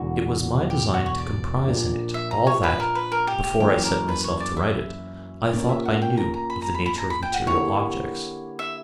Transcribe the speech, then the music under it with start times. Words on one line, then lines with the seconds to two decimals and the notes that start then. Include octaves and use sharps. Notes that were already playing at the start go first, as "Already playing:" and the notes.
It was my design to comprise in it all that, before I set myself to write it, I thought I knew of the nature of material objects.
Already playing: E1 E2 D3 F#4
0.70 G4
0.94 F#4
1.06 C#5
1.18 D5
1.67 A#1 A#2 A#3 D4
2.14 E5
2.31 A#5
2.47 C#5
2.63 B4
2.80 A#4
2.95 B4
3.12 A#4
3.27 G4
3.44 G4
3.59 F#2 E3 A#3 C#4 E4 G4
3.84 A#4
4.09 B4
4.24 C#5
4.40 D5
4.57 E5
5.53 A#2 A#3 C#4 D5
5.69 E5
5.85 F#5
6.02 G5
6.17 A#5
6.34 A#5
6.50 B5
6.62 A#5
6.74 B5
6.86 B5
6.98 A#5
7.10 B5
7.23 G5
7.34 F#5
7.46 D3 A#3 E4 G4 C#5
8.59 E5